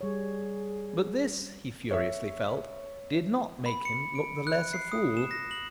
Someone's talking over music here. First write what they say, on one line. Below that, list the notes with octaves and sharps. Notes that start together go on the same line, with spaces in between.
But this, he furiously felt, did not make him look the less a fool.
G3 G#4 C#5
C#5 E5
B5
C#7
D7
F#6
C7
D#6
E7
A#6
F#7